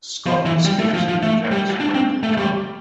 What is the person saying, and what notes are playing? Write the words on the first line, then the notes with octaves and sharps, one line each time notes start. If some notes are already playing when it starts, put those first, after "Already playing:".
Scott escapes with Jack's rental car.
F3
E3
G3
A3
F3
F3
A3
G3
D4
C4
A3
G3